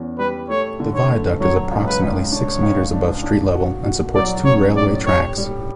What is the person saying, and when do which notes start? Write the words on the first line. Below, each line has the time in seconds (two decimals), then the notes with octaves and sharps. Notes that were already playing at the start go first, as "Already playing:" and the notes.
The viaduct is approximately six metres above street level and supports two railway tracks.
Already playing: E2 C#4
0.19 G3 B4
0.50 A3 C#5
0.80 D3
0.95 C#5
1.10 A3
1.40 F#3 C#5
1.71 C#2
1.87 B4
2.02 C#2
2.32 D4 C#5
2.63 C#2
2.93 D4
3.23 D4
3.54 F#4
3.84 F#4
4.15 F#3 D5
4.45 C#4 C#5
4.76 A2 D5
5.06 G3 C#5
5.38 G3